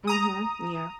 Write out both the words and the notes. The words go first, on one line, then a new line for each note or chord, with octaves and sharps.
Mhm. Yeah.
A#5 D#6